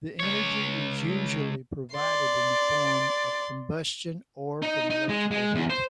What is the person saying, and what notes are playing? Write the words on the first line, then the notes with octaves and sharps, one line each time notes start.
The energy is usually provided in the form of combustion or from electrical heat.
C#2 C#5
D5 C6
D#4
D#4
G#3
G#3
E2
C5